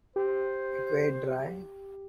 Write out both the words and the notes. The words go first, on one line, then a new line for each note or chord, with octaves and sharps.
It weighed dry.
G4 C5